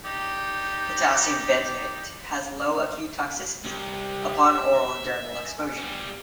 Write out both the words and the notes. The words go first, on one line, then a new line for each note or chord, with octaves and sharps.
Potassium benzoate has low acute toxicity upon oral and dermal exposure.
D#4 G4 D5
C2 G4
E5
G#5
B2 G3